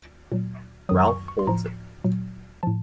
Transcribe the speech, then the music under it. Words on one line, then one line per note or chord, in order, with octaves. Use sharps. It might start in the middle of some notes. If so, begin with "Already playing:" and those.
Ralph holds it.
A#2 F#3
F#2 D#3 F#3 D#6
C#6
C#6
C6
A2 F3 A#5
A#2 F#3
A2 F3 A5